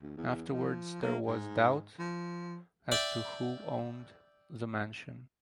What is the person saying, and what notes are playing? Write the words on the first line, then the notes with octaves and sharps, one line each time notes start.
Afterwards there was doubt as to who owned the mansion.
D2
E2
F3
A#3
G#2
F3
D5 E5 G5